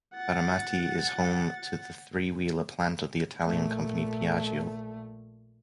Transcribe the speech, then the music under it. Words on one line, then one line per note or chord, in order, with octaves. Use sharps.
Baramati is home to the three-wheeler plant of the Italian company Piaggio.
F#5 A6
A#1 A3